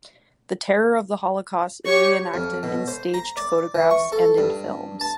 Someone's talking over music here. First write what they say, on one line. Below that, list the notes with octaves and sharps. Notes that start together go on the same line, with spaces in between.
The terror of the Holocaust is re-enacted in staged photographs and in films.
G4 C#5 C#6
F2
B2
C5
A#5
D5
E3
C#6
A4
G2
A5